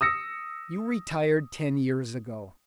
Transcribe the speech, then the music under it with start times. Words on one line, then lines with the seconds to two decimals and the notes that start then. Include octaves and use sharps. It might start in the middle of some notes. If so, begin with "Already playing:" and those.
You retired ten years ago.
0.01 D#6 E6 A#6 C#7